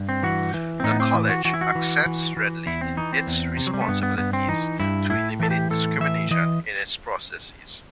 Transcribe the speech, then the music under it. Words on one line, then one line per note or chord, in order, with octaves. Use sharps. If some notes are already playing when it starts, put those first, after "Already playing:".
The College accepts readily its responsibility to eliminate discrimination in its processes.
Already playing: G2
C4
E3 F#4
E3
C4
A2 D#4
B3
C4
E3
F#4
E3 F#4
E4
F#4
E3
E3
E3
E2 E4
C4
E3 D#4
C4
E2
C3
F#3
G3
A3
G2 B3
B3
G2 B3
C4
E3 D#4
G2 E4
A2 E4
E3 A4
G4
A2 A4
E3 E5
E3 D#5